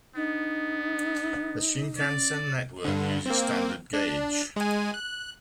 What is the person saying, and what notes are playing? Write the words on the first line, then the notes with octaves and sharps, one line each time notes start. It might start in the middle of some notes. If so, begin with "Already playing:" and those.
The shinkansen network uses standard gauge.
B3 D4 D#4
C#4 D5
G2 D3
A#3 C4
D4
G#3 G#5
F#6